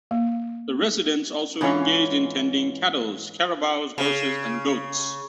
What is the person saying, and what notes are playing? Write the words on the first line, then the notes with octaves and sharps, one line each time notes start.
The residents also engaged in tending cattles, carabaos, horses and goats.
A#3
G#2 E3 C#4 F4 C#5
C#3